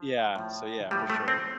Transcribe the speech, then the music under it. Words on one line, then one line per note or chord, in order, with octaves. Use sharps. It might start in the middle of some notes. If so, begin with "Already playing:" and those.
Yeah, so, yeah, for sure.
Already playing: F3
A2 F3
A2 F3 G3
A3
C4